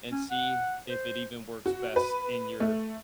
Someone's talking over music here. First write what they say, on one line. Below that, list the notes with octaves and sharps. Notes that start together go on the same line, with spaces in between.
and see if it even works best in your
C#4
F#5
C5
F#4
B4
A3